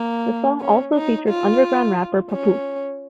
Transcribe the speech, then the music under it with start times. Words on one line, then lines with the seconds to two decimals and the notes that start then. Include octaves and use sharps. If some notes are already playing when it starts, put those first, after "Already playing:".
The song also features underground rapper Papoose.
Already playing: A#3
0.60 C#4
0.94 D#4
1.29 F4
2.32 C#4